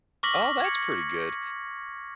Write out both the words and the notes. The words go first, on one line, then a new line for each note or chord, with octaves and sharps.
Oh, that's pretty good.
C#6 D6 F6 A#6 B6 F#7
G#6 C#7